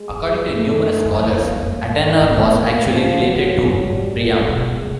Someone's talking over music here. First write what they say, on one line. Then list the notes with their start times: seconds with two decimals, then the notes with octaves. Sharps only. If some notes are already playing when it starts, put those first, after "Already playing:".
According to numerous scholars, Antenor was actually related to Priam.
Already playing: G#3
0.09 F2
0.26 F#2
0.58 A3
0.97 G#2
1.05 G2
1.15 F#2
1.23 F2 A#3
1.40 F2
1.56 F#2 A#3
1.72 G2
1.88 G#2
2.21 G#2 B3
2.37 A2
2.53 A#3
2.86 F3
3.19 E2 F#3
3.35 F2
3.52 F#2
3.68 G2
3.83 G#2 G3
4.16 A2 A3
4.32 A#2
4.49 B2 G#3
4.81 C3